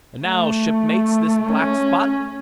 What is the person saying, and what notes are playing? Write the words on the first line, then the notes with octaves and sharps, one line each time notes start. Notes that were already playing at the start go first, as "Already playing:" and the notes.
And now, shipmates, this black spot?
A3
C#4